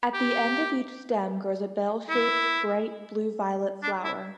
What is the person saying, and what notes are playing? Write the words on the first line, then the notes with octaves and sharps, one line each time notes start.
At the end of each stem grows a bell-shaped bright blue-violet flower.
G4
E4
D4
E4